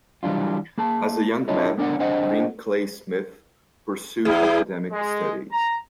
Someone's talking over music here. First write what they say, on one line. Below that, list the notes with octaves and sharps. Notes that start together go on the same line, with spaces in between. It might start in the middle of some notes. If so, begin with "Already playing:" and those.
As a young man, Green Clay Smith pursued academic studies.
E3 F#3 G3 D4 F4
A#3 G#4 A5
D4 E4 F4 G#4 C#5 D#5
B3 D4 A#4 D5 F#5
C4 D4 G#4 C5 D#5 F#5
E2 E4 G#4
G#3
A#5